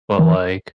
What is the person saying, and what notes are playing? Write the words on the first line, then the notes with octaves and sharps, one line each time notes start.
but, like
D#3
E3